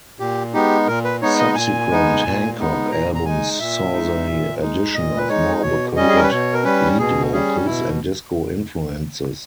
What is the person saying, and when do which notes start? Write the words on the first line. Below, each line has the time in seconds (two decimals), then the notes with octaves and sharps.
Subsequent Hancock albums saw the addition of more vocoded lead vocals and disco influences.
0.19 A#2 G4
0.53 G#3 B3 D#4 G4
0.87 A#2 A#4
1.05 B4
1.22 G#3 B3 D#4 C#5
1.39 D#5
1.55 A#2 G#5
1.90 G#3 B3 D#4
2.23 A#2
2.58 G#3 B3 D#4
2.91 A#2 A#5
3.15 A#5
3.25 G#3 D#4 G#5
3.59 A#2 E5
3.93 G#3 D#4
4.27 A#2
4.61 G#3 D#4
4.95 A#2 D#5
5.17 B4
5.28 G#3 D#4 C#5
5.62 B2 C#5
5.96 G3 C#4 D#5
6.09 G#4
6.16 A#4
6.23 B4
6.31 B2 C#5
6.53 A#4
6.64 G3 C#4 B4
6.99 B2 G#4
7.32 G3 C#4 G#4
7.66 B2 E4